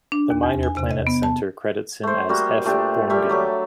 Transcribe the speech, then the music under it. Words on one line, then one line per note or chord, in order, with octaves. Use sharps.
The Minor Planet Center credits him as F. Borngen.
D4
D#2
E2
G#5
C3
D#5
B3
A5
A3 C5
G3 A#3 F#4
A#2 A3 D4 G4
G3 A3 G4 E5
F#3 A3 D6